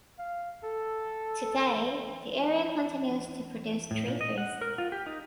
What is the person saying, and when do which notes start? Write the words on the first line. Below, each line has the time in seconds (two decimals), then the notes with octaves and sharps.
Today, the area continues to produce tree fruits.
0.18 F5
0.64 A4
3.91 A2
4.07 A#2
4.21 D#5
4.38 F#5
4.61 A#4
4.78 F4
4.92 G4
5.06 D#4